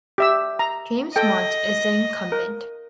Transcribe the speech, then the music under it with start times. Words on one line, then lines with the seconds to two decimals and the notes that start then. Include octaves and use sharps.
James Monte is the incumbent.
0.18 G4 E5 E6
0.59 A#5
1.16 A4 D#5 G5
2.32 A#4